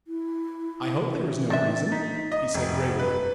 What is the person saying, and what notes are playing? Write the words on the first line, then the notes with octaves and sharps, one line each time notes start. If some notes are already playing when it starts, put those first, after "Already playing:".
"I hope there is no reason," he said gravely.
E4
E3
C4 D4 E5 A6
D#4 B6
D#5
F1
B4